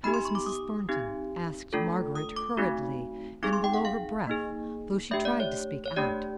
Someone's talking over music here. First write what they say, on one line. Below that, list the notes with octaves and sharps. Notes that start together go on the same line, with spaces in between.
How is Mrs. Thornton?' asked Margaret hurriedly and below her breath, though she tried to speak out.
B3 D#4 G4 B5
C6
C#6
D6
D#6
C4 D#4 G4
A3 D4 F4 A4
D#6
D6
A3 C4 D#4 F#4
C4 D#4 G#4 D6
C6
G5
F#5
F5
A#3 D#4 G#4
A3 D4 G4 E5
D5
C#5
C#5
A3 D4 G4 D5